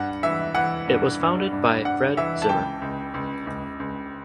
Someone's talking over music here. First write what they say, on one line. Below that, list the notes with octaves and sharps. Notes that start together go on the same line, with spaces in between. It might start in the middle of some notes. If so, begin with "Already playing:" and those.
It was founded by Fred Zimmer.
Already playing: G2 F#5
E3 E5
E3 F#5
G2
G2
G2
G2 F#5
E3 E5
A5
C#2 G5
C#2
C#2
C#2
C#2